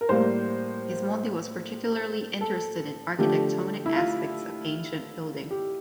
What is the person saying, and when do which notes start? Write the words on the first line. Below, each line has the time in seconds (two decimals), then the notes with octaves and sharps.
Gismondi was particularly interested in architectonic aspects of ancient building.
0.01 A#4
0.09 A2 G3 A#3 C5
2.41 A4
3.18 D3 F3 A3 G4
3.86 E4
3.96 F4
5.51 G4